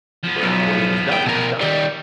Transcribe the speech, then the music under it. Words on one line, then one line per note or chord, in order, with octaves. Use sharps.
but when he was done, he was done.
F3 B3
B1
G5
B2 A#4
D#3 G3